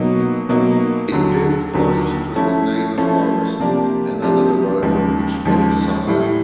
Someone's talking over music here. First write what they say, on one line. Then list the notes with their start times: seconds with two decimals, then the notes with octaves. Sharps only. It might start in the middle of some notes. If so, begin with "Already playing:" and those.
It then flows through the Naver Forest and under the road bridge at Syre.
Already playing: B2 F#3 A#3 D#4
0.49 B2 F#3 A#3 D#4
1.12 D#2 D3 F#3
1.73 D#2 D3 F#3
2.35 F3 A3 C#4 E4
2.98 F3 A3 C#4 E4
3.60 C3 F3 A#3 D4 G4
4.22 C3 F3 A#3 D4 G4
4.82 D#2 C#3 F3 G#3
5.45 D#2 C#3 F3 G#3
6.07 A2 E3 G3